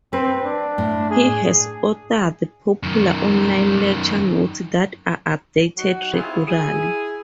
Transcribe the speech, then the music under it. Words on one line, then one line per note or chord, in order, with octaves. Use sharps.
He has authored popular online lecture notes that are updated regularly.
C4 B4
D4
A2
G#4
F#2 D#3
F#3 D#4 F#4
C4 E4 F4 G#4
E4 G#4